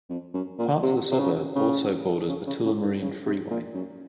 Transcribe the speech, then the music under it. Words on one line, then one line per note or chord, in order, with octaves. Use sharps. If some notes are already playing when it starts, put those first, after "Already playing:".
Parts of the suburb also borders the Tullamarine Freeway.
F2
F#2
A#2
C3
C3
C#3
C#3
C#3
C#3
C#3
D#3
C#3
C3
A#2
F#2